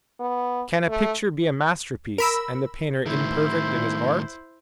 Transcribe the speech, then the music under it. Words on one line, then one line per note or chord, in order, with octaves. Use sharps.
Can a picture be a masterpiece and the painter imperfect in his art?
B3
A3
A#4 B5 E6
A2 D#3 E4 C5